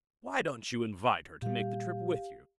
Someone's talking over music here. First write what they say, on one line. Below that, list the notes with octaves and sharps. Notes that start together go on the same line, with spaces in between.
Why don't you invite her to make the trip with you?
A#2 G3 G4 F5